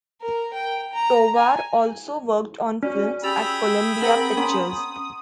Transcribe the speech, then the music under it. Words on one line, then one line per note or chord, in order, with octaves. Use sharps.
Tovar also worked on films at Columbia Pictures.
A#4
G5
A#5
G#5
C#4 F#4 D5
G4 G#4 G5 B5 E6 A6 F7
C4 A#4 F#5
C#4 F#5 A#5 C6 D#6